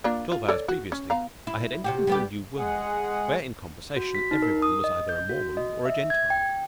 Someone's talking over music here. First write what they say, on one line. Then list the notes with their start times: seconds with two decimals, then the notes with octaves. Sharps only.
Twelve hours previously I had entered into a new world where, in conversation, every one was either a Mormon or a Gentile.
0.04 A#3 D4 F4
0.32 F4
0.48 A4 C#5 D5
0.68 F#4
0.92 C#4
1.10 B3 F5 A#5
1.47 E4
1.84 C3 F#4 G4
2.07 G3 B3 G4
2.58 G#3 G#4 F#5
3.96 F#4
4.15 B6
4.31 D#4
4.42 A#4
4.62 D#6
4.84 D#5
5.09 G6
5.29 F#4
5.57 D#5
5.85 E5
6.10 G#6
6.30 G5